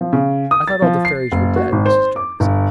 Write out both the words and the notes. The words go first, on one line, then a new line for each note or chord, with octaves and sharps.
"I thought all the fairies were dead," Mrs. Darling said.
F3
C#3
D#6
A6
F3
C7
F#1
F#4
G#1
C5
D6
G1